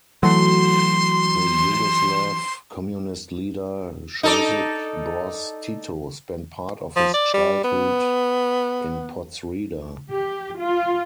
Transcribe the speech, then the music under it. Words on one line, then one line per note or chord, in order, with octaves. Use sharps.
The Yugoslav Communist leader Josip Broz Tito spent part of his childhood in Podsreda.
E3 F#3 A3 F#4 C6
D#4 A4 D5
F3
D5
G3
B3
G4
F4